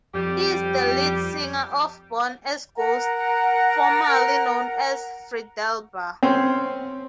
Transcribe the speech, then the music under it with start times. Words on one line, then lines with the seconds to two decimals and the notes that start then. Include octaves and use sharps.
He is the lead singer of Born As Ghosts, formerly known as Fredalba.
0.14 F2 G3 G4
2.77 A#4 F#5 A#5
6.23 C4 C#4 C5